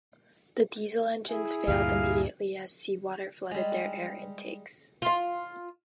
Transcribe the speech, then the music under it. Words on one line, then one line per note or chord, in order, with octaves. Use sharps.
The diesel engines failed immediately as seawater flooded their air intakes.
E4 G#4
D2 G2 A#2 F5
G3 G#3
F4 F5